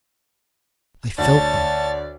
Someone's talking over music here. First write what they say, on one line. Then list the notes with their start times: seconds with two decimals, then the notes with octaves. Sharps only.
I felt them.'
1.18 D2 C#5 D5 A5 A6